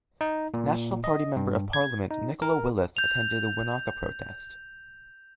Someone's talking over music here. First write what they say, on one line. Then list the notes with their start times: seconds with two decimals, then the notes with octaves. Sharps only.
National Party Member of Parliament Nicola Willis attended the Wanaka protest.
0.21 D#4
0.54 A#2
1.04 D#5
1.36 G2
1.73 G#6
2.11 D#4
2.42 A#4
2.97 G6 F7